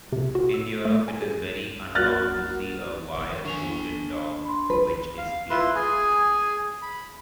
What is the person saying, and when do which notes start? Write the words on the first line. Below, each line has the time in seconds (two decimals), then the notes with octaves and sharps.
In Europe, it is very uncommon to see a wire-coated dog which is clipped.
0.12 C3
0.35 F#4
0.54 E6
0.85 A3
1.08 G#5
1.22 G#4
1.95 A#3 F#4 F6 F#6 A6
3.15 D#3
3.45 D4 G#5 C#6 F7
4.45 B5 C6
4.70 B4
5.18 F5
5.50 E4 F4 B4 C6
5.75 G#4 G#5
6.82 B5